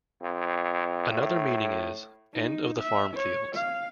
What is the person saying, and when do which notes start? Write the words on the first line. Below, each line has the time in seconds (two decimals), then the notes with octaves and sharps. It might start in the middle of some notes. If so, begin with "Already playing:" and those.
Another meaning is "End of the farmfields".
0.22 F2
1.10 A2
2.33 D#4
2.80 E5
3.14 C#5
3.55 F5